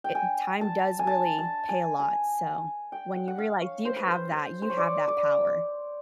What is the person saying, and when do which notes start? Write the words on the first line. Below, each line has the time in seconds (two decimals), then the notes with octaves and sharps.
it time does really pay a lot, so, when you realize you have that you have that power,
0.04 G5
0.15 G#5
0.61 A5
0.99 G#5
1.07 A5
1.38 A5
1.69 G#5
2.00 G#5
2.92 G5
3.16 F#5
3.28 F#5
3.38 F5
3.61 C#5
3.85 C5
3.96 B4
4.07 C5
4.31 C5
4.62 C5
4.70 C#5
4.77 D5
5.08 D5